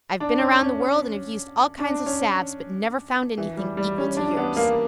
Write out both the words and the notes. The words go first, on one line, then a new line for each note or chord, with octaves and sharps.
I have been around the world and have used all kinds of salves, but never found anything equal to yours.
D4
C#4
C#4
C#4
D4
C#4
E3
G3
G3
C#4
D4
B3
A#3